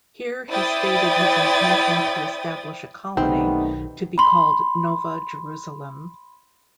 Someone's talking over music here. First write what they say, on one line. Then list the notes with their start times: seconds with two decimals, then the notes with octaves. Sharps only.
Here he stated his intention to establish a colony, to be called Nova Jerusalem.
0.51 E4 C5 D5 G5 D#6 A6
3.17 B1 D#3 G3 A3 B3 C4 D#4
4.18 B5 C6